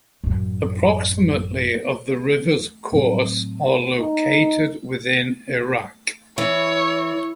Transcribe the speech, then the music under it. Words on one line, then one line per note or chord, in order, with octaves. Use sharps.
Approximately of the river's course are located within Iraq.
A1 F#2
A2 F#3 C4
D#4
E3 C#5